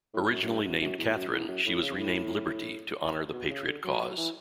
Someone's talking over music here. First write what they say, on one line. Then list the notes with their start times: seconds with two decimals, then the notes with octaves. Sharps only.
Originally named Katherine, she was renamed "Liberty" to honor the patriot cause.
0.14 A2
0.31 F#2
0.42 F#2
0.47 G2
0.64 F#2
0.82 F#2
0.98 E2
1.15 F#2
1.31 E2
1.48 F#2
1.66 A2
1.82 C#3
1.94 G2
1.99 A2
3.33 B2
3.49 C#3
3.66 D3
3.84 F#3
4.00 F#3
4.17 E3